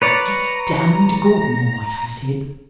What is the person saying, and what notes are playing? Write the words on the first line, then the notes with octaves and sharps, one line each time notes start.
"It's damning to Gordon, all right," I said.
B4 C#5 D5 A#5